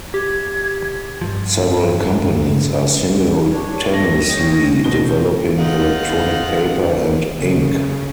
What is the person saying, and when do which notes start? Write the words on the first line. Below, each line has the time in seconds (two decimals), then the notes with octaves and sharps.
Several companies are simultaneously developing electronic paper and ink.
0.14 G4 G#6
1.21 G2 F3
3.51 D4 C#5
3.93 A#6
4.29 C#5 D#5 G5
4.84 B2 C5 G7
5.58 D#4 F4 F#5
7.37 C#3